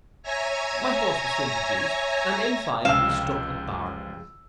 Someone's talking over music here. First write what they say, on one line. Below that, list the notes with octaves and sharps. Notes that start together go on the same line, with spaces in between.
My horse was soon produced, and in fine we struck a bargain.
C#5 E5 G#5 A#5 G#6 A#6
C#2 C3 F3 G#3 G4 F5 E6 E7